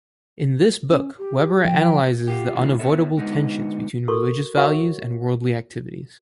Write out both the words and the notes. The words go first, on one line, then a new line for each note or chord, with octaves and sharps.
In this book Weber analyses the unavoidable tensions between religious values and worldly activities.
C#4
G4
F3 G5
F4 G4
G#2 D#3 A#3 D4 E4 F4
B3 A4 C#5 E5
D3 G#3 B3 D#4
F#4 A4 A#4 C6 C#6
F#4 A#4 C#5 E5 F#5 C#6